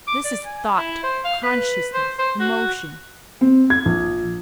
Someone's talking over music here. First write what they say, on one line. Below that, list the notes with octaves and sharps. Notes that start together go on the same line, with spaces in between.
This is thought, consciousness, emotion.
D6
D5
G#5
E4
C5
F5
B4
C5
C5
F#4
C4
G#6
A#1